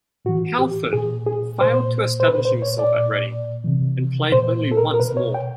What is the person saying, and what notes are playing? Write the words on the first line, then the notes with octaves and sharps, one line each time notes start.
Halford failed to establish himself at Reading, and played only once more.
A2 E3 F#4
G4
A#2 G#4
G#4
A#2 C5
C5
A#2 B4
C5
C#5
D5
A#2
C3 E3
A#2 C5
A4
A#4
A#4
B2 B4
C#5
G5